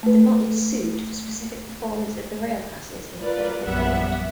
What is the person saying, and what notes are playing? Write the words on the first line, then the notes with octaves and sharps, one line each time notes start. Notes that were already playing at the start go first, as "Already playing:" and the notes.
The Mottleys sued for specific performance of the rail passes in federal court.
A3 B4
F4 A#4 B4 D5
A#1 F#2 G3 B3 E5 F#5